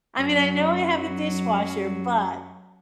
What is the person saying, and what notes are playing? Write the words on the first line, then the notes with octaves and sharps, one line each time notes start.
mean, I know I have a dishwasher, but
F#2 F#3